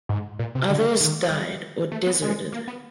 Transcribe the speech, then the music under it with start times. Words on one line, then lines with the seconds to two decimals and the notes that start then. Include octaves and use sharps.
Others died or deserted.
0.09 G#2
0.39 A#2
0.55 C3
0.70 D3
1.00 D#3
1.30 G3
1.92 A3
2.07 B3
2.22 G#3
2.52 A#3
2.68 B3